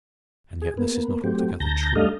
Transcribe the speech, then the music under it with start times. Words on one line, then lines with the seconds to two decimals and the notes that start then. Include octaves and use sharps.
And yet this is not altogether true.
0.62 G#4
0.77 A#3 B3
1.24 F#3 A3 C4 G4
1.60 D2 A5 A#5 G6 A#6
1.96 G3 A3 D4 A4 D#5 F5